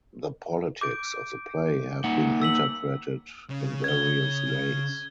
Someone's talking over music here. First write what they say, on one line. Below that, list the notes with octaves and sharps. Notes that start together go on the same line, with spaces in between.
The politics of the play have been interpreted in various ways.
D6 G6 D7
A#3 D#4 F#5
E6 B6 F#7
C#3
G#6 G7